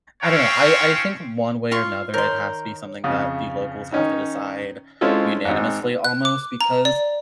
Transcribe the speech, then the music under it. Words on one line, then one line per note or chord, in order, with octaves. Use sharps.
I don't know. I I think one way or another it has to be something that the locals have to decide unanimously almost because
A3 C4 C#4 C#5 F5 G5
F4 C6 C#6
D#3 A#4 C#5 C6 G6
F2 C#3 D#6
D#3 C#4 D#4
G#3 C4 C#4 E4 F4 A4
G#1 G#2
F#6
D6
A#5
D5